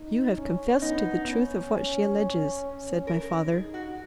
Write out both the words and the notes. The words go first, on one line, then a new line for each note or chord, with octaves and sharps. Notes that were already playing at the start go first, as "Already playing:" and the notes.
"You have confessed to the truth of what she alleges," said my father.
Already playing: D#4
C#4
B3 D#4
C#4
A#4
D#4 G#4
F#4